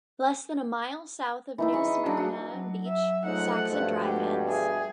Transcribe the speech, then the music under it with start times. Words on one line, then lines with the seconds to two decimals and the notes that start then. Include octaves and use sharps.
Less than a mile south of New Smyrna Beach, Saxon Drive ends.
1.58 E3 D#4 E4
1.73 G#4 C#6
1.87 D#5
2.06 F#3 D4
2.17 F#4
2.54 F#3
2.87 E5
3.25 G#2 F3 A3 C#4 D#4 F#5
3.69 G2 B2
4.02 G#3 G4 F#5
4.49 G#4 E5